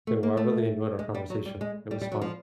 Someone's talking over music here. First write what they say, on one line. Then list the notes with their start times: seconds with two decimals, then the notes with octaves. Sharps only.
Yeah, well, I really enjoyed our conversation, it was fun.
0.07 A3
0.23 A#3
0.37 A3
0.99 G#3
1.14 G3
1.30 F#3
1.46 G3
1.61 G#3
1.91 G3
2.01 G3
2.12 F#3
2.21 F3